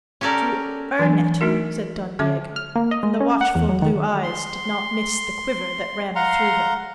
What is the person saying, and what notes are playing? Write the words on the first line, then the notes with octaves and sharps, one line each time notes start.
"To earn it?" said Don Diego, and the watchful blue eyes did not miss the quiver that ran through him.
C#4 G4 A4 A#4 D5
E3 F#3 D4 G#5
A3 D#4 F#4 A#4
D3 C#4 E5 D6
F6
A#3
D#5
G#3
C#4
F#5
E2
F#3
D#3
C6
F5 F#5 A#5 C6